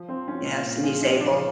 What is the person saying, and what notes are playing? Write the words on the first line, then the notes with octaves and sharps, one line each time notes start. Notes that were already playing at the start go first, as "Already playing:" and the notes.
yes and he's able
Already playing: F3
C4
F3
C#4
A#2
F4
A#2
G#4
F3
D#4
F3
D4